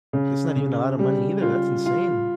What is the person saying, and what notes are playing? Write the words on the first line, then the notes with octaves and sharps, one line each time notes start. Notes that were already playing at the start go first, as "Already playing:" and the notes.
That's not even a lotta money either, that's insane.
C#3
C#3
G3
F4
F4